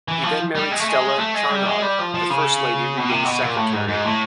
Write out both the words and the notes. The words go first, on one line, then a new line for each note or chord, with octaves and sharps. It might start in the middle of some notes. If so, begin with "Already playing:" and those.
He then married Stella Charnaud, the first Lady Reading's secretary.
E3
F3
G3
G#3
A3
G#3
A3
G#3
G3
G#3
G3
F3
F3
C#3
B2
C3
B2
A#2
A2
G#2
G#2
A2